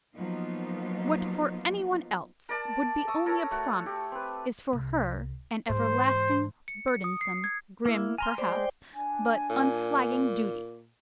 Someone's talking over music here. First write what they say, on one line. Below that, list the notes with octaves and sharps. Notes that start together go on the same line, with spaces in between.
What for any one else would be only a promise is for her an everlasting burdensome, grim perhaps, but unflagging duty.
F3 F#3 A#3 B3 D#4 F4
A#4 D5 A5
C#6 D#6 E6
A4 A#4 C#5
A3 F#4
G4
C4 B4
C2
G#2 E3 C5
C#7
C#7
D#6
C7
G#6
A#3 E4
G#5 A#5 C6 F6
G#3 C5 D5 G5
D4 G#5
A#2